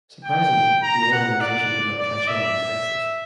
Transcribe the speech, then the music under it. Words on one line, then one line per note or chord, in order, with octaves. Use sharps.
Surprisingly, the organization did not catch on in Texas.
G5
A#5
F#5
D5
D5
E5